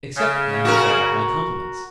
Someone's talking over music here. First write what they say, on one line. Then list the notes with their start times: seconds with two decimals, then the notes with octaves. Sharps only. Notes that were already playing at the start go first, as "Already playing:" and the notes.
Accept, mademoiselle, my compliments.
0.16 C#3
0.65 F#4 A#4